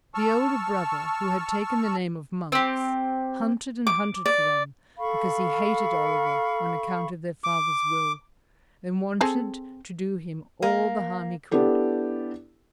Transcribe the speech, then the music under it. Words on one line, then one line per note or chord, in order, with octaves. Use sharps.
The older brother, who had taken the name of Monks, hunted and hunted for them, because he hated Oliver on account of their father's will, and wanted to do him all the harm he could.
A5 C#6 E6 F6
C4 G4
D6
D5
A4 F5 B5 C#6
D6
C4 G#4 A4
A#3
B3 D4 E4 G4 A4